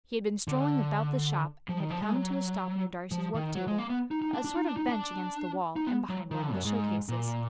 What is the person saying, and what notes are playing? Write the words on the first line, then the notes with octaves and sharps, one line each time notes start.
He had been strolling about the shop, and had come to a stop near Darcy's work table--a sort of bench against the wall, and behind one of the showcases.
D3
F3
D#3
F3
G#3
F#3
F3
D#3
F#3
G#3
A#3
B3
D#4
D#4
D4
D4
D#4
D4
D#4
D4
D#4
B3
F#3
D#3
D3
F#2
G#2
A#2